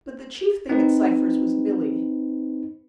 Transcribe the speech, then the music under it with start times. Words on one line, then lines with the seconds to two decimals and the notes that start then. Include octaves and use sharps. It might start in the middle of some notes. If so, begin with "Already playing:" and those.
But the chief thing at Cypher's was Milly.
0.69 C4 D#4 B4